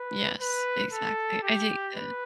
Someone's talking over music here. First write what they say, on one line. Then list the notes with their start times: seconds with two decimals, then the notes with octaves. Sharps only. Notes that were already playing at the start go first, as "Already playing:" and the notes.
Yes, exactly. I think, uh
Already playing: B4
0.41 B4
0.92 A4
1.43 G4
1.94 B4